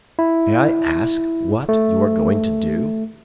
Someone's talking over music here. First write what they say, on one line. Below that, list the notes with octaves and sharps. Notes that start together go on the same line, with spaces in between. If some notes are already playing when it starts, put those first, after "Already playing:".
"May I ask what you are going to do?"
E4
A3